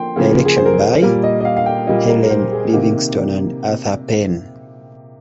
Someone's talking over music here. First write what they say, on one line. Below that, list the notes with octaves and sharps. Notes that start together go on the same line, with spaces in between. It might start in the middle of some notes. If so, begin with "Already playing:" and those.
Direction by: Helen Livingston and Arthur Penn.
Already playing: F3 A#3 G5 C6
C#3 F3 A#3 G#4
G#4
C5
A#4
G#4
A#2 G3 A#3 A#4
D#5
D#5
F5
F5
G5
A#2 G3 A#3 D#5
A#4
A#4
C5
G#4
C3 D#3 A#3 G4